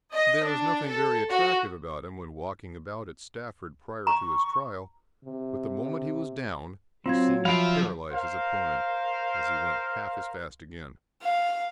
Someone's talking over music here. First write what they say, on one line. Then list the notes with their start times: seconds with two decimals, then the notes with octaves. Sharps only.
There was nothing very attractive about him when walking about at Stafford prior to his trial, but the moment he was down he seemed to paralyse his opponent, as he went half as fast again.
0.14 D#5
0.45 D4
0.87 A4
1.30 F#4
4.07 A#5 C#6
5.25 C3
7.06 F#3 C4 F4 F5 G#6
7.45 F3 E5 F5 B5 D7
8.12 A#4 C5 F5
11.22 F5